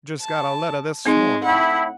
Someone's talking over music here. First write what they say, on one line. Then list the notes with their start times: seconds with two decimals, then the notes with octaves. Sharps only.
'Just got a letter this morning.'
0.21 A5
1.06 G#3 C4 D#4
1.44 A2 E4 F#5